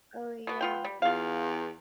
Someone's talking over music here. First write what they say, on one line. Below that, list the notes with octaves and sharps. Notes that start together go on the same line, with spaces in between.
Oh yeah.
B2 B3
B3 F4 G5
G3
E2 F4 F5